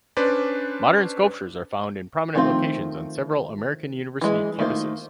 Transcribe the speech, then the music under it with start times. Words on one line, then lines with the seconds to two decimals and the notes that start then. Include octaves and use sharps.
Modern sculptures are found in prominent locations on several American university campuses.
0.17 C#4 D4 B4 C5 D5
2.35 D#3 F3 A3 C4 F4
4.21 E3 G#3
4.59 D#3 A3 A#3 F4 C5